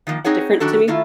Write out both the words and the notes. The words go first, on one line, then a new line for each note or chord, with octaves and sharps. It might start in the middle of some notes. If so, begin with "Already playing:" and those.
different to me.
D#3 F3 G#3 A#3
C4 D#4 G#4 C#5 F#5
F#2 D#3 D4 F#4 A4
D#3 A3 E4 F4